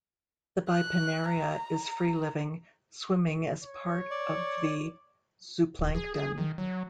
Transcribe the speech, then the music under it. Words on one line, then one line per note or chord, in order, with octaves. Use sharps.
The bipinnaria is free-living, swimming as part of the zooplankton.
F#6
A#5
C#5
D5
D1
G#4
G#4
D#3
F#3